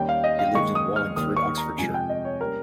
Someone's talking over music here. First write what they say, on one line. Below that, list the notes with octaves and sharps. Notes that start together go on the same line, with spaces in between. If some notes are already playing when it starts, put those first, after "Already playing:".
He lived in Wallingford, Oxfordshire.
Already playing: D#2 D#3 G3 C#4 G5
F5
D#5
F5
D#2 D#3 G#3 C#6
D#6
F6
D#2 D#3 G3 D#6
C#6
A#5
F2 C3 F3 G#3 G#5
G5
D#5
C#5
G3 A#3 C#4 A#4